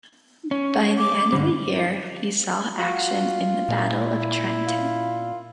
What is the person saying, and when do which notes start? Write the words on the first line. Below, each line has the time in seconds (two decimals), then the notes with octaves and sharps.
By the end of the year, he saw action in the Battle of Trenton.
0.51 C#4
0.98 D6
1.33 G2 D3 G3
2.79 F4 F#4
3.69 A#2 E4
4.67 F4